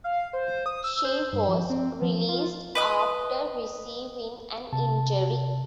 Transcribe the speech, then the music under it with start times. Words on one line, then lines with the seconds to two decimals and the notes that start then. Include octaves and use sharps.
She was released after receiving an injury.
0.04 F5
0.33 C5
0.66 D#6
0.84 E6
1.04 C5
1.33 G2
1.48 F3
1.70 C4
2.02 F3
2.29 F4
2.75 B4 D#5 D#6
4.73 C3 A5